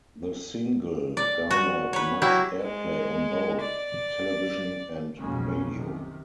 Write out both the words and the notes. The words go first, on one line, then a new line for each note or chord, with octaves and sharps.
The single garnered much airplay on both television and radio.
D5
F#4
B4 C#5
F#3 E4 F#4 G4
G#3
D5
B1 F2 C#3 G#3 A#3 C#4
C3 D#3